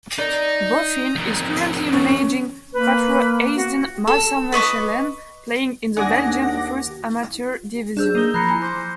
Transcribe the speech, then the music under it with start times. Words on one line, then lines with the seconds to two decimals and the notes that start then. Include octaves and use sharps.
Boffin is currently managing Patro Eisden Maasmechelen playing in the Belgian First Amateur Division.
0.18 D#4 D5
1.15 F2 D#3
1.93 C#4
2.73 A#3 B4
3.55 F#4
4.07 A4
4.52 B4 D#5 C#6 D6
5.97 D#2 D4 G#4 F#5 D6 A#6
7.97 D4 G#4 C5 E6 G6 E7
8.15 A#3 D#4 D#7 G7
8.34 F3 A#5 B5 F#6 G#6 C7 C#7
8.49 E4 G#5
8.62 C5 D6 G6 A#6